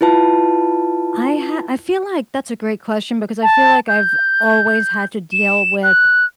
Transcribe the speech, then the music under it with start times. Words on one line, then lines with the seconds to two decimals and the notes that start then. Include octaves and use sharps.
I ha I feel like that's a great question because I feel like I've always had to deal with
0.01 E4 F4 B4 A5
3.42 A5
3.88 G6
5.32 E7
5.83 F#6